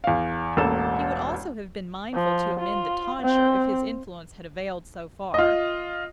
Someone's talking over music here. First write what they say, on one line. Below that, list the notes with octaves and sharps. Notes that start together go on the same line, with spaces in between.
He would also have been mindful to amend the tonsure, if his influence had availed so far.
E2 F5
E1 A1 A#3 A4 E7
F3
F4
C4
F4 D#5